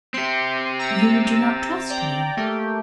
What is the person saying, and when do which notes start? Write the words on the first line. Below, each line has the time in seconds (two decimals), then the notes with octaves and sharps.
"You do not trust me?"
0.14 C4 G4 C6
0.79 A#5 E6 A6
1.90 D5 G5 A#5
2.37 A3 A#3 G4